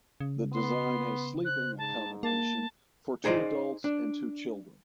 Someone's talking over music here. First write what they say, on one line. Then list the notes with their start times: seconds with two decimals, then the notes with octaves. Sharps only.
The design has sleeping accommodation for two adults and two children.
0.20 C#3
0.53 B3 C6
1.45 C5 F#6
1.78 G#2 A5
2.23 A#3 A5
3.24 D#4 G#4 C5 D5 D#5
3.84 D4